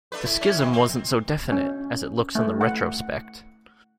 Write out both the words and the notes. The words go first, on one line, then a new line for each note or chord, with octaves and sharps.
The schism wasn't so definite, as it looks in the retrospect.
A3 D4 B4
E4
C#4
D#3
C4
C#4
A3
F#5